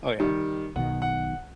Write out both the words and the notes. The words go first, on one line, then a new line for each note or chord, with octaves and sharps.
Oh, yeah?
D#3 G3
B1 B2 D#3 F#5
F#5